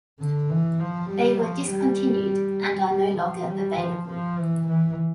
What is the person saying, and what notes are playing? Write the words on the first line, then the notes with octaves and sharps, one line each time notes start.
They were discontinued and are no longer available.
D3
E3
F3
G3
F3
G3
G3
F3
G3
F3
F3
E3
E3